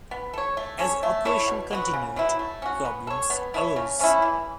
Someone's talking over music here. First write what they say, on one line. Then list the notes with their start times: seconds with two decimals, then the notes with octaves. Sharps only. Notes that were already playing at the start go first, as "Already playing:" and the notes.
As operation continued, problems arose.
0.11 B3
0.33 A4 C#5
0.57 A3
0.79 C#4 A4 C#5
1.03 A3
1.25 E4 A4 C#5
1.48 B2
1.71 F#3 B3 F#4
1.93 C#3
2.16 F#3 B3 E4
2.39 A3
2.62 C#4 F#4
2.85 B3
3.07 A4 C#5
3.30 B3
3.54 E4 A4 C#5
3.76 C#3
3.99 A3 C#4 E4
4.22 E3